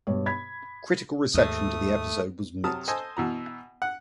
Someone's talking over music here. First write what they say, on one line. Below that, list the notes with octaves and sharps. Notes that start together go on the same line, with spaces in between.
Critical reception to the episode was mixed.
G2 B2 C#5
B5 G#6 B6
D#2 G#2 A3 D#6
C3 F#3 A5 D#6 F6
A4 C5 D#5 G#5
B2 E3 A#5
F#5